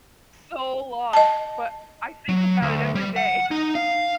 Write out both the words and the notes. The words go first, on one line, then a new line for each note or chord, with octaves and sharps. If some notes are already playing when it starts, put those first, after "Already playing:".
so long, but I think about it every day.
D#5 A5
F#3
D2
G3
F#5
D#4
F5